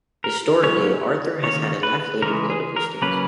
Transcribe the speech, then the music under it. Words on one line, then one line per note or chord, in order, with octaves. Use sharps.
Historically, "Arthur" has had a left-leaning political stance.
A#4
F#3 A#3 C#4 C#5
D#3 A#3 C#4 C#5
B4
C#3 E3 G#3 A#4
G#4
A#4
C#3 F#3 A#3 C#4 B4